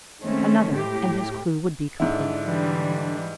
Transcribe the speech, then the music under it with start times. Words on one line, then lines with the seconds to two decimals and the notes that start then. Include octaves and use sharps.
Another, and his clue would be complete!
0.23 D#3 G#3 A3 C4 C#4
0.76 A2 G4
2.00 G#2 D3 D4 E4
2.46 E3 G3